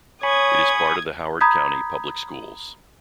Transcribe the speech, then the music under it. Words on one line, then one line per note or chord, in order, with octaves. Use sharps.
It is part of the Howard County public schools.
C#5 G#5 B5 C#6 D#6 G#6
A#5 B5 D#6 G6 G#6 B6